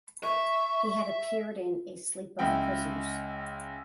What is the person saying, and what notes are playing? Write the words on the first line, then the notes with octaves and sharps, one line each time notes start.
He had appeared in "A Sleep of Prisoners".
E5 C#6
C#2 E4 F#5 G5